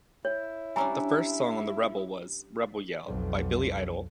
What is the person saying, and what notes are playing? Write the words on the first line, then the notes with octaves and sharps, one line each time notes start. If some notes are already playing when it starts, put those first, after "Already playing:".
The first song on The Rebel was "Rebel Yell" by Billy Idol.
E4 C#5
G3 C#4 D4 G#5 A#5 E6
B1 F2